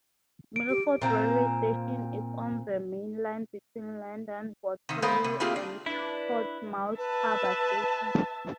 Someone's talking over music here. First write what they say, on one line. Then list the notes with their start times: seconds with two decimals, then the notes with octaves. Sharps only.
Milford railway station is on the mainline between London Waterloo and Portsmouth Harbour station.
0.56 D7
0.69 G4
1.02 A#2 C4 F5 A#5
4.89 C3 D#3
5.02 G#3 A3 B3 A#4 C5 F5
5.24 C3
5.40 A3 A#3 C4 F4 G4 G#4
5.56 D4
5.86 D4 E4 B4
6.98 B4 E5 A5